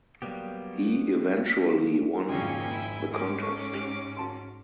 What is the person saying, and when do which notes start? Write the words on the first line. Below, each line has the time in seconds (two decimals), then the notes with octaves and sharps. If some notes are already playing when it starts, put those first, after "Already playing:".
He eventually won the contest.
0.22 F#3 G3 A#3 B3 G4
2.29 G#1 F2 G#2 C#3 A#3 C#4 G5 G#5
2.68 E4
3.11 G#2 G#3 C#4 D6
3.42 A4 C#6
3.73 G4
4.17 F#4 A5 C6